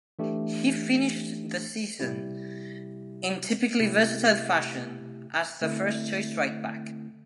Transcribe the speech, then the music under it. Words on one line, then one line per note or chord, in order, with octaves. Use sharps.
He finished the season, in typically versatile fashion, as the first choice right back.
E3 A3 D4 G4
C3 G3 E4 G4
C3 A3 E4 G4
D3 A3 C4 E4